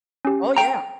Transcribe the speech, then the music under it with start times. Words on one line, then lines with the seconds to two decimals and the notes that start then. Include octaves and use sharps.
Oh, yeah.
0.25 C#4 G4
0.57 G5 A#5